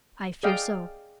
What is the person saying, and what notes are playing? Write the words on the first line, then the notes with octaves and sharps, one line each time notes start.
"I fear so."
G#4 D5 D#5 F5 G5